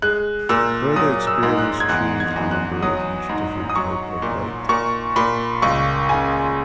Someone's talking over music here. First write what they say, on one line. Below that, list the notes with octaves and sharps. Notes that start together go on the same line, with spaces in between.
Further experiments changed the number of each different type of light.
G#3 F#6
A#2 E6
F#3 D#6
E6
G#2
F#6
G#6
E2 F#6
G#6
E2
F#6
F#3 D#6
G#2
D#6
F#3 C#6
A#2
A#2 C#6
A#2 B5
C#2 C#6
C#3 G#5